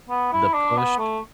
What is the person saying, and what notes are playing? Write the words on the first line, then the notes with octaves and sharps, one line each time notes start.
The push
B3
E4
D4
B3
A3